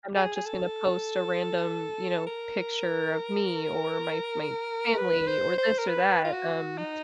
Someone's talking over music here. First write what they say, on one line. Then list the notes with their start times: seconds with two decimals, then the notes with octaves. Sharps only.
I'm not, just, gonna post a random, you know, picture of me or my my family or this or that, um,
0.15 G#4
0.36 G#4
0.46 A4
2.27 A#4
4.98 B4
5.28 C5
5.58 C5
5.78 A#4
5.88 B4
6.25 F4
6.33 F#4
6.78 D#4